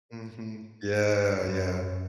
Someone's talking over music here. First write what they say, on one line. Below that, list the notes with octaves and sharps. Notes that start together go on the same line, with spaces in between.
Mhm. Yeah, yeah.
F#2